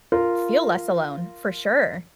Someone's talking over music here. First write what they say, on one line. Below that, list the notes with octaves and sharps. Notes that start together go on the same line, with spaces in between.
feel less alone, for sure.
F4 A#4